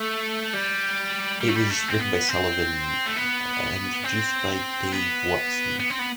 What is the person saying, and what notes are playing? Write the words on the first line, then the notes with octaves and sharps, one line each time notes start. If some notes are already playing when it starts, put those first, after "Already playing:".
It was written by Sullivan and produced by Dave Watson.
Already playing: A3
G3
G3
A3
G3
A3
C4
B3
C4
A3
B3
C4
B3
B3
C4
B3